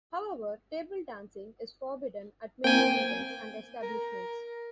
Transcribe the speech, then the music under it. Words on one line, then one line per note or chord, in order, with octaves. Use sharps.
However, table dancing is forbidden at many events and establishments.
A#3 C4 G5 G#5
A#4